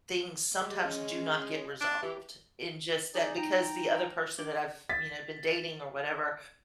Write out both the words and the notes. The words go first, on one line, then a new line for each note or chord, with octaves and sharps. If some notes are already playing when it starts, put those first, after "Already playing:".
things sometimes do not get resolved in just that because the other person that I've, you know, been dating or whatever,
G#3 G4
C#4
D4
E3 G4
D#4 G#4 D5
D#4 G5 A#5
D4 D6 G7
A6 B6